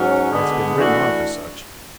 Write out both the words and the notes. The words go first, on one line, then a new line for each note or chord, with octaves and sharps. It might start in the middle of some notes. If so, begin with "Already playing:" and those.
It's been written off as such.
Already playing: G#2 F#3 C#4 F#4
D3 G#3 B3
E3 A3 D4 F#4